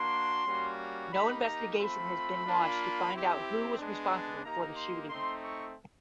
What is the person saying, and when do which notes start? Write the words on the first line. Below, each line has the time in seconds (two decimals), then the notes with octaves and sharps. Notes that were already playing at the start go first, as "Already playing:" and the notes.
No investigation has been launched to find out who was responsible for the shooting.
Already playing: A#3 D4 F#4 C6
0.46 G3 A#3 C#4 F#4
1.12 A#3 D#4 G4 B5
1.46 A#5
1.78 A3 C4 F4 B5
2.44 A#3 D4 F4
3.12 C4 E4 G4
3.78 G#3 B3 D4
4.11 A5
4.44 A#3 D#4 G4 A#5
4.76 C6
5.10 A3 C4 D#4 C6
5.43 C#6